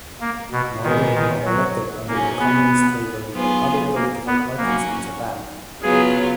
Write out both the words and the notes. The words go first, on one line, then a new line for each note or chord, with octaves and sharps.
More women are elected under the Communist label than other political parties in Japan.
A#3
B2
A#2 D#3 G#3 B3
D#3
F#3
B2 F#3 A#3 C#4 G#4
B3
F#3 B3 F4 G#4
A#3
B3
F#3 A#3 C#4 F#4
C#3 F#3 B3 F4 G#4